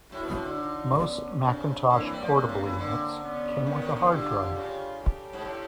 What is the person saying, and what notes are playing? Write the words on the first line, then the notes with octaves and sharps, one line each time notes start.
Most Macintosh Portable units came with a hard drive.
A2 E4 F#4
B2
C3
D3
D#4 F4
B3 C#4
C#3 C4 D4
D3 A#3 C4
E3
G3
F3
C3 A#3 C4
C#3
E3
D3 A#3 C4
B3 C#4
D#3
D#3
D#3
D3 F4 G4
C#3
G4 A4
G#2
A2